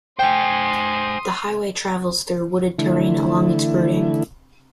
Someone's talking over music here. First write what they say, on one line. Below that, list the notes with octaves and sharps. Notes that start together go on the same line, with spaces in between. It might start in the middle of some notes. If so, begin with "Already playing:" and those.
The highway travels through wooded terrain along its routing.
C5 G5 G#5 C6 D#6
D3 E3 A3 E4